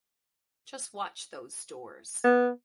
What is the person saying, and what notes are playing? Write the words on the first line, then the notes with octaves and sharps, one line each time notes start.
Just watch those doors!
B3